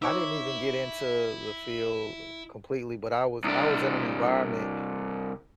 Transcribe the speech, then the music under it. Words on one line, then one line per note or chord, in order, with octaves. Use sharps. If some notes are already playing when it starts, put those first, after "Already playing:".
I didn't even get into the field completely, but, I was I was in an environment
D#4 E4 C5 C#5 C#6 D6 E6
C2 D4